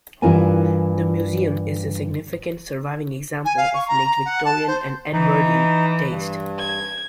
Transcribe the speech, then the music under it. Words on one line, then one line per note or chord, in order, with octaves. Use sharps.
The museum is a significant surviving example of late Victorian and Edwardian taste.
G2 E3 E4 F4 A#4 G#5
G#5
F5
C#6
A#5
A#5
F#5
A5
C5
E3 D#4
G2
G#6